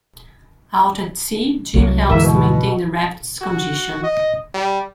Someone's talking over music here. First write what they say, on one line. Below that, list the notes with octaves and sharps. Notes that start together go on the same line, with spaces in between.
Out at sea, Jin helps to maintain the raft's condition.
C2 F#3
D2 G#2 E3 A#3 E5
B2
F#4
D#5
G3